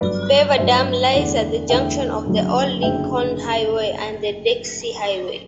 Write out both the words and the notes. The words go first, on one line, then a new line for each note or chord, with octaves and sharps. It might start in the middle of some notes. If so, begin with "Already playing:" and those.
Beaverdam lies at the junction of the old Lincoln Highway and the Dixie Highway.
G1 G2 F#3 B4 D5
G1 G2 F#3 C5 E5
E2 D3 A3 D5 F#5
E2 D3 A3 E5 G5
F#1 F#2 D3 F#3
F#1 F#2 D3 F#3 E5 G5